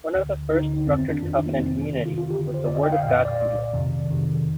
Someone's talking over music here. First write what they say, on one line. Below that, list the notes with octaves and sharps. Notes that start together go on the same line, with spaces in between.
One of the first structured covenant communities was the Word of God Community.
D2 D3
D2 D3 D#4
F2 D#3 C4
C4
D4
F2 D#3 F4
D#4
A#3
F2 C3 D#3 C4
F2 C3 D#3
F4
F4
F2 D3 G4
F4
C5
F2 D3 D5
D#5
G5
F5
C2 A#2 D#5
D5
C2 A#2
F2 C3 D#3
F2 C3 D#3